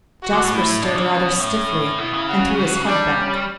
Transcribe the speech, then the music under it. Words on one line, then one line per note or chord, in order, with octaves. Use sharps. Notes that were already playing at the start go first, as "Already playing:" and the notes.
Jasper stood rather stiffly, and threw his head back.
F#4
D3
A2
E4
B2 D4
C#3
B2 C#4
A2
B2 E4
C#3
F#4
F#4
G3 D4
C#4